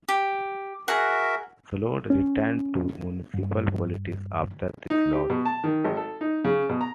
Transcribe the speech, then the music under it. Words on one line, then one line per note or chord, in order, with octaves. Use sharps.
Sloat returned to municipal politics after this loss.
G4
F#4 G#4 A#4 E5 F#5
C#4
G2
D#4
G4
B2
A5
D#3
G#1
A4
D#4
C#3
B2
A#5